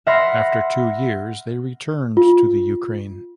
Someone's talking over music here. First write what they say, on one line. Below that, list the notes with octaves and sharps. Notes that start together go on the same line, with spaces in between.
After two years, they returned to the Ukraine.
E5 F#5 B5 C6 F6 A#6
F4